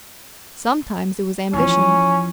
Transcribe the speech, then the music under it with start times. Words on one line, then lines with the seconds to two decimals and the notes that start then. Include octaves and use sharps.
Sometimes it was ambition.
1.53 E2 F3 C#4